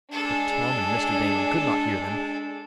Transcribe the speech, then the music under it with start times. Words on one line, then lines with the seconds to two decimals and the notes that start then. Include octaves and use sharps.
But Tom and Mr. Damon could not hear them.
0.12 G#3 D4 G#4 A4